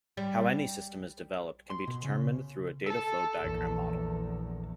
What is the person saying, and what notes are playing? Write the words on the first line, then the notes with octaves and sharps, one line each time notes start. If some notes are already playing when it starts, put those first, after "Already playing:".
How any system is developed can be determined through a data flow diagram model.
G3
C6
B2
C#3
A4 A5
A#1 E2